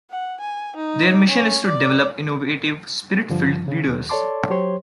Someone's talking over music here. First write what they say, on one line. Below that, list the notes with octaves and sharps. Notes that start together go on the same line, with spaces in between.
Their mission is to develop innovative spirit-filled leaders.
F#5
G#5
D#4
C#4
D5
G2 D3 F3
C#3
D#2
A4 C#5 D5 A5 C6 D6
F#3 G4 C5 C#5 C6